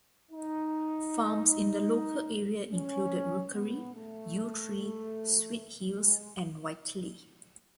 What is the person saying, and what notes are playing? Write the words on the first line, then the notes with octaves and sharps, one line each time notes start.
Farms in the local area included Rookery, Yew Tree, Sweethills and Whiteley.
D#4
C#4
B3
A3
G#3